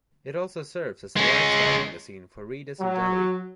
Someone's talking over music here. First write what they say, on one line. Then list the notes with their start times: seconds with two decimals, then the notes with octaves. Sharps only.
It also serves as a lifestyle magazine for readers in Delhi.
1.16 G#3 C#4
2.80 F#3